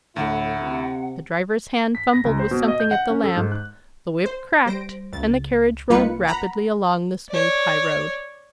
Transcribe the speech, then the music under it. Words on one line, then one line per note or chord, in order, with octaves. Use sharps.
The driver's hand fumbled with something at the lamp, the whip cracked, and the carriage rolled rapidly along the smooth highroad.
D2 A2 E4 F#5
C3
B6
A#6
C#2
C5
B2
D#5
G6
F#5
C#4
A4
G#2
F#6
C5
G3 C5 A#6 D7
C#2 A6
C2 A#3 D#4 F4 B4 C#7
F#5 A#5 B5
C#5 D5